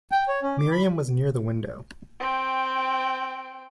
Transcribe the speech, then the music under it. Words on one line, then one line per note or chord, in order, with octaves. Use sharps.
Miriam was near the window.
G5
C#5
C#4
D6
B5
C4 G5